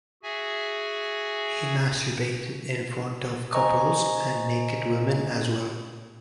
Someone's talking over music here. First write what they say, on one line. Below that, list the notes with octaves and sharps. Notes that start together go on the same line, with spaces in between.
He masturbated in front of couples and naked women as well.
F#4 G#4 E5 G#5
C5 D#5 G#5 A#5 C#6